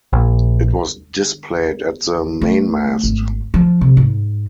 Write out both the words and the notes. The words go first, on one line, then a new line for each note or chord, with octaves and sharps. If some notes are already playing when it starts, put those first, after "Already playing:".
It was displayed at the mainmast.
A#1
A3
G#1
F3
C3
G#2